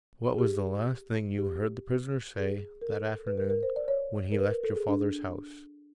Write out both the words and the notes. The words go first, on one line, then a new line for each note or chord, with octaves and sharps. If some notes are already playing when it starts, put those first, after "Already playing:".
"What was the last thing you heard the prisoner say that afternoon when he left your father's house?"
G#4
G4
G4
G#4
A#4
A4
B4
A#4
A#4
C5
D5
C#5
A#4
B4
A#4
A4
G#4
D4